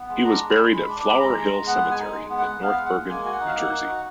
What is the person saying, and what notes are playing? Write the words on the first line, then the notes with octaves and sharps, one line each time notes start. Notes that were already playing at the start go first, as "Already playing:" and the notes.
He was buried at Flower Hill Cemetery in North Bergen, New Jersey.
Already playing: B3
G#3
D4 A#5
G#3
B5
G#3
G#3 B5
D4
D6
G#3 B5
G#3 A#5
G#3
G#3
B3 F#5
G#3
G#5
D#4
G#3
B3
F#5
B3
B3 F5
G#3
F#5
G#3
A#3 G#5
F#4 G#5
F#5
D#4
F5
A#3 F#5
D#4
F#4